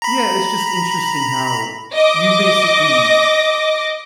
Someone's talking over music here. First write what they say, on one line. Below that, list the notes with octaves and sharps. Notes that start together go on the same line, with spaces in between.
Yeah, it's just interesting how you basically
A#5 B5
D#5 D6 A#6